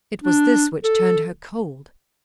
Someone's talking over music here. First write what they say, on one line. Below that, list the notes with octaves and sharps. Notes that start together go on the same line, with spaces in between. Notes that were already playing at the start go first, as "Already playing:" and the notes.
It was this which turned her cold.
D4
A4